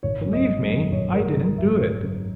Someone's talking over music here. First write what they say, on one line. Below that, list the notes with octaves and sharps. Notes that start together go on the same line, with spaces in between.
Believe me, I didn't do it.
G#1 C#5
F#2
D#5
F#2
D#5
F#2
G#1 C#5
G#1 A#4
F#2 A#4
G#1 E5
G#1
F#2